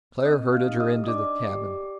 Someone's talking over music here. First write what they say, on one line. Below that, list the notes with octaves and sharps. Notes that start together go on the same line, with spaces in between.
Claire herded her into the cabin.
C4 D#5 D#6
F5 F6
D#4 G4
D#5 D#6
D#6
D4 D5 D6
G4